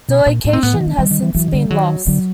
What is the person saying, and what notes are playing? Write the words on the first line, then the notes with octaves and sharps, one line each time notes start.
The location has since been lost.
B2
A#2 D4
A2 C#4
C4
A2 B3
E3
D#3
A3
D#3 G3
D#3
E3
E3 F#3
D#3
D3 G3
D#3 F#3
D3 F#3